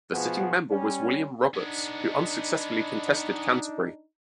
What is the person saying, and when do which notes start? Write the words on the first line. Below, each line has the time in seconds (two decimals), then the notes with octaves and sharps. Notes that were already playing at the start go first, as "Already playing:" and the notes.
The sitting member was William Roberts who unsuccessfully contested Canterbury.
0.13 G#2 B2 F3 B3 F#4 G#4
0.70 G3 C#4
1.54 G#3 B3 D4 D#4